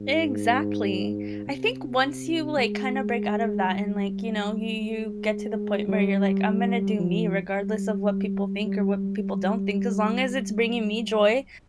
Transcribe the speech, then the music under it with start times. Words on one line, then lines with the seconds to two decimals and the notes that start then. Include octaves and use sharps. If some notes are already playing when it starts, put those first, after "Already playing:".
Exactly, I think once you like kinda break out of that and like, you know, you you get to the point where you're like, I'm gonna do me regardless of what people think or what people don't think, as long as it's bringing me joy,
Already playing: G#2
1.47 C3
2.57 G#3
3.67 G3
4.78 G#3
5.88 G3
6.99 F3
7.54 G3
8.65 G3
9.19 G3
10.30 G3